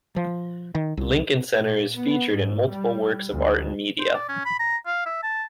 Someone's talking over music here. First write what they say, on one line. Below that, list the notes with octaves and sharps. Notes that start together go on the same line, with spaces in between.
Lincoln Center is featured in multiple works of art and media.
F3
D#3
C2
A#2
B3
G#2
G3
D2
C5
D5
C#4
B5
A#5
F5
E5
A5